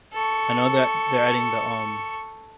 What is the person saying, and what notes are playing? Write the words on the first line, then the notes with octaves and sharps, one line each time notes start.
I know that they're adding the, um,
A4 C#6